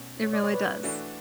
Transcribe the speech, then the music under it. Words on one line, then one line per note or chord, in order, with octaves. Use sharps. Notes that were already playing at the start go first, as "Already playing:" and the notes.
It really does,
Already playing: B2 A3 C#4
C#5
D5
C#5
B4
E3 A3 D4 F#4